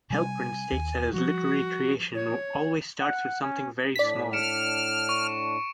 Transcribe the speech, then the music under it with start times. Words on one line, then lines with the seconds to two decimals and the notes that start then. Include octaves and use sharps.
Helprin states that his literary creation "always starts with something very small".
0.10 C3 G3 C#4 G#5
0.72 D#2
1.13 F3 G3 F#4
2.15 C#5
3.00 F#5
3.42 C#4
3.95 A2 D4 D5 B6
4.33 F6 C#7 D7 E7
5.09 C#6